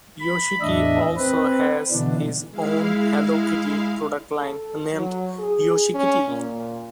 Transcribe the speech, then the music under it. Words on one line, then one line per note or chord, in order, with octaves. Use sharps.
Yoshiki also has his own Hello Kitty product line, named "Yoshikitty".
B5
E2 A2 D4 D#5 E5
C4 B4
B2 D3 E3 D4
G#3 E4 F5
A4
F#3
G#4
C#4
A#2